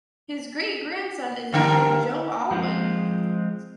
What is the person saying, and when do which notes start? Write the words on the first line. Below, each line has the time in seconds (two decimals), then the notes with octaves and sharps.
His great-grandson is actor Joe Alwyn.
1.52 G2 D3 A#4
2.51 F3 G#3 B3 C4 F4